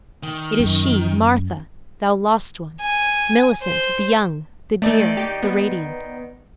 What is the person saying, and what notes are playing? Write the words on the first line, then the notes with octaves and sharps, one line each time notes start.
It is she, Martha, thou lost one, Millicent, the young, the dear, the radiant.
D#3
F#2
G#5
C5
D#3 A3 D5
G4
B3